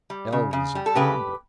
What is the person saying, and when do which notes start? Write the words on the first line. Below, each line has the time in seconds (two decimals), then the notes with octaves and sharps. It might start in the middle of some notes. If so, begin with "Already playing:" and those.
L--was of the number.
0.10 G3
0.33 C#3
0.53 C#3
0.75 G3
0.86 A4
0.95 C#3 G4 B4